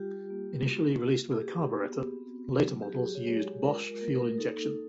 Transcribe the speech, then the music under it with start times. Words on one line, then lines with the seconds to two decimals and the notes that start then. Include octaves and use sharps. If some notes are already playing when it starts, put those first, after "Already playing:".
Initially released with a carburetor, later models used Bosch fuel injection.
Already playing: G3 F4 G4
0.30 A#3
0.66 F#4
1.04 A#3
1.32 G#4
1.41 F#4 G4
1.79 B3
2.16 C4
2.52 F#3
2.82 G4
2.89 F#4 G#4
3.15 C#5
3.26 G#3
3.64 F4 A#4
4.01 A#3 A#4
4.38 D#4 A4